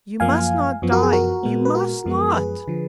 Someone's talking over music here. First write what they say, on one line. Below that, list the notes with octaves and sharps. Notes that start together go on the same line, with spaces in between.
"You must not die--you must not!"
F#2 F3 A#3 F5 G#5
F#2 F3 B3
F#4 A#4
G#4
F#4 A#4
A#2 G#3 B3
B4
F#4 A#4
F#2 F3 G#3 B3
G#4 B4
D3 F3